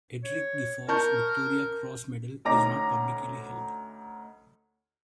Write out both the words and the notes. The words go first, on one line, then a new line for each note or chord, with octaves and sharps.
Edric Gifford's Victoria Cross medal is not publicly held.
C#5
A#4 A5 C#6 G6
D2 C#4 D#4 A#5 D6 A#6